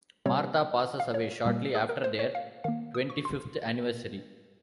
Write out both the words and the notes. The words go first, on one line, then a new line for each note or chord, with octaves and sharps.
Martha passes away shortly after their twenty-fifth anniversary.
C3 G3 C4 C#5
F5
C#5
A#2 G3 A#3
G#4
A#4
C5
C#5
F5
D#3 A#3 F5
D#6
C#6
C6